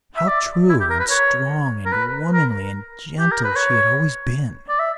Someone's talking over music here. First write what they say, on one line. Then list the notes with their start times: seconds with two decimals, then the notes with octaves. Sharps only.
How true and strong and womanly and gentle she had always been!
0.17 E5
0.28 D5
0.69 E4
0.80 G4
0.90 A#4
1.00 B4
1.10 C#5
1.86 A#4
1.92 B4
2.33 A#4
3.19 G4
3.31 A#4
3.44 B4
3.56 C#5
4.69 D5
4.79 E5